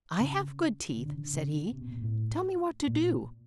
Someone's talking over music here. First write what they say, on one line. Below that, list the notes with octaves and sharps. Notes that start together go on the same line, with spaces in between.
"I have good teeth," said he, "Tell me what to do."
C#3
C#3
D3
C#3
D3
C#3
C3
B2
A#2
A2
A#2